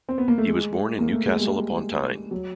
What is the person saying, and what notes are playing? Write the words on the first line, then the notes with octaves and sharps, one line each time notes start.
He was born in Newcastle-Upon-Tyne.
C4
B3
A#3
A3
G#3
A#3
A3
G#3
G3
F#3